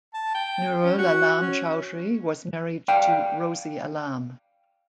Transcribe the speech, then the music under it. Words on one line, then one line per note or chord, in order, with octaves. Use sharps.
Nurul Alam Chowdhury was married to Rosy Alam.
A5
G5
C#4
F#4
C#4
D5 F5 G5